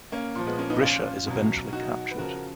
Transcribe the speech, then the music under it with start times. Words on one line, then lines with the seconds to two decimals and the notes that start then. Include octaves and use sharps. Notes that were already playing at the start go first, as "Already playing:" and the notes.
Grischa is eventually captured.
0.12 A#3 C#4
0.35 A#2 F3
0.47 G#3 B3
0.58 A#3 C#4
0.70 B3 D#4
0.81 C#4 F4
1.27 B2 F#3
1.73 D#4 F#4
2.11 B4
2.18 C#3 F3 F#4 A#4